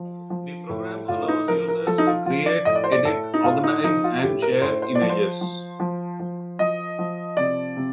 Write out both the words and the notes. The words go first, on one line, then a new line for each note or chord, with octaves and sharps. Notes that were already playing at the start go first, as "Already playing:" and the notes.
The program allows users to create, edit, organize and share images.
Already playing: F3
F3
A2
A2 F4
D#4
F3 A#4
A#4
F3 A4
D#4
F4
F3 F4
D5
A2 D#5
D5
C5
D5
A2 A4
D#4
A2 F4
D#4
F3 D#4
F4
A2 G4
A#4
A2 C5
C5
D5
F3
C5
F3
F3
F3
F3 D#5
F3
C3 D5
C3